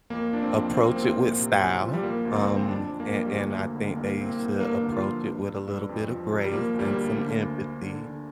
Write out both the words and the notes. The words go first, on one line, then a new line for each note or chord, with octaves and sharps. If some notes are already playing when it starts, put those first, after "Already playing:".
approach it with style, um, and and I think they should approach it with a little bit of grace and some empathy.
F2 A#3
F3 D4
C4
F2
F3 C4
A#3
C2 C4
A#2
C3
C2
F3
G3
F3 A#3
D2
C4
D2
C4
F2 D4
F2
A#3
F2
G3
D2 A#3
D2
D3
C2 A#3
C2 C4
A#3
C2
G2 A#3
A#3
D3
F4
F3
G2
G2
G2
F2
F3
C3
G3
F3 A#3
D2
G3
A#3
D2
D3
D2
D2
D3
D3